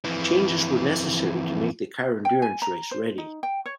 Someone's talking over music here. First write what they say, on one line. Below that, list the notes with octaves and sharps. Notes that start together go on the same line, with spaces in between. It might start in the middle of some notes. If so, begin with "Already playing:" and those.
Changes were necessary to make the car endurance race ready.
F2 E3
G5
G#5
A#5
C5
D#4
G5
C#5